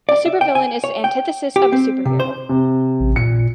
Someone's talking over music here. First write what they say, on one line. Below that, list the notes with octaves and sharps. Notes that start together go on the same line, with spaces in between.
A supervillain is the antithesis of a superhero.
D5
E5
G5
G#5
C#5
G5
G4
C4
C3
C5
C3
A1
A#2 C#7